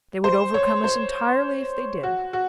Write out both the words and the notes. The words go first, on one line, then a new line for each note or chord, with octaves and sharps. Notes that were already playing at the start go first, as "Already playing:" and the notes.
They would overcome us entirely if they did.
C5
C#5
C5
F#4
F#4